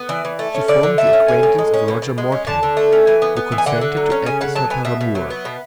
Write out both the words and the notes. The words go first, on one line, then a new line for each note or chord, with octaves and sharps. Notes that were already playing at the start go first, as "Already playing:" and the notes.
She formed the acquaintance of Roger Mortimer, who consented to act as her paramour.
Already playing: B3
E3 D5
E3
A3
C#4
D3 D5
D3
A3 E5
C#4
A2 G#5
A2
G#3
C#4
B2
B2
G#3
C#4
D3 A5
D3
A3
C#4
E3 G#5
B3
B3
E3
G#5
D3 F#5
D3
F#3
C#4
C#3 G#5
C#3 F#5
F#3 A5
B3 G#5
B2 E5
B2
F#3
B3
B2